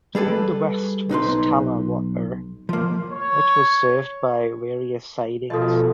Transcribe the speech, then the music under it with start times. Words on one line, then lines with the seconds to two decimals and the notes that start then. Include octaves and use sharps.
To the west was Talla Water which was served by various sidings.
0.15 G3 G#4 A4 B4
1.09 B1 D#4 B4 C6
2.69 F3 A#3
3.09 C#5
5.50 B2 F3 A4 D#5